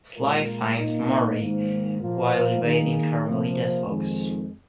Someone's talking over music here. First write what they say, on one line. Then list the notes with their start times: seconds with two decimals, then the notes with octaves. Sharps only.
Sly finds Murray, while evading Carmelita Fox.
0.15 A#2 G#3 F4 A#4
0.77 A#2 A#3 D#4
1.39 G#2 D#3 A#3
2.01 A#2 F3 A#3 F4
2.62 D#3 A#3 D#4 G#4
3.24 C3 F3 A#3
3.86 F2 D#3 G#3